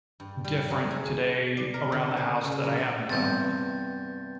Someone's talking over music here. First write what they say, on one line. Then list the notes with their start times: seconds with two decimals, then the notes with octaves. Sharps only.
"different today around the house that I haven't done."
0.20 G2
0.44 G3
0.70 F#3
0.91 G#4
1.57 D5
1.74 A#4
1.92 D3
2.17 G#5
2.44 C#3
2.64 F#3
3.10 E2 G2 C3 G6 A6